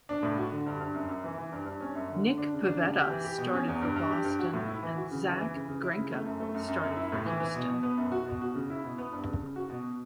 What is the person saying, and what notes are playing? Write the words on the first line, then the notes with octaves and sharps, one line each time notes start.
Nick Pivetta started for Boston and Zack Greinke started for Houston.
D4
A2
F#4
D3
G2
G2
F#2
F#2
E3
E3
G2
G2
C#4
F#2
D3
D3
D4
C#3
D4
C#3
G4
E3
G4
B2
C#4
E2
G2
G2
G4
G2
F#4
A2
E4
E3
F#4
C#3
E3
E3
C#3
C#3
E4
C#3
A3
F#2
A3
F#2
F#2
F#2
E4
A2
E3
E3
B2
B2
B3
F#2
F#4
B2
F#4
C#3
E4
B2
B3
G2
C#3
C#3
F#4
B2